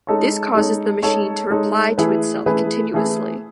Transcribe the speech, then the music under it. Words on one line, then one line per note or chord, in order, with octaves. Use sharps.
This causes the machine to reply to itself continuously.
G#3 D#4 A4 C#5
G#3 D#4 A4 C#5
G#3 D#4 A4 C#5
G#3 D#4 A4 C#5
E3 A3 E4 G#4 B4
E3 A3 E4 G#4 B4
E3 A3 E4 G#4 B4